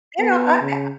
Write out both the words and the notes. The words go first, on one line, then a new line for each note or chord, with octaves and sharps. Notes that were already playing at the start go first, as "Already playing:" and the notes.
You know, I I
B3
C#3